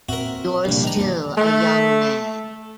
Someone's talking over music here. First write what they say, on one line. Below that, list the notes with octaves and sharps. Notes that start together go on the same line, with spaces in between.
You're still a young man.
A#2 C4 F#4 A#4 E5
C2 A#2 F3 D4 G4
D#3 A#5
A#3 D5
A3